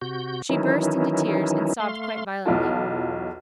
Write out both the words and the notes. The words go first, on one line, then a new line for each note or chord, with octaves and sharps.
She burst into tears, and sobbed quite violently.
C3 F#4 G6
D#3 E3 F#3 C#4 D#4 E4
A3 F5 C6
B1 E2 E4 F4 A5